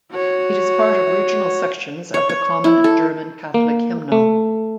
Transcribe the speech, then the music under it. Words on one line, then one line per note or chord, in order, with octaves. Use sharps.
It is part of regional sections of the common German Catholic hymnal.
F#4 C#5
C#5
C#5
E4
A4
A#3
A3